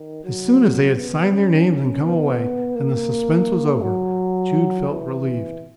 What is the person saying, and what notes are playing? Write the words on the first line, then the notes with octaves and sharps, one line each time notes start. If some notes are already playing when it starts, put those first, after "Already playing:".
As soon as they had signed their names and come away, and the suspense was over, Jude felt relieved.
Already playing: D#3
F#3
B3
C#4
C#4
B3
A#3
F#3
E3